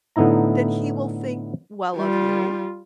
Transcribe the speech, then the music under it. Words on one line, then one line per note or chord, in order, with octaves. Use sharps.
then he will think well of you,
A2 D3 B3 D#4 E4 A#5
G3 F4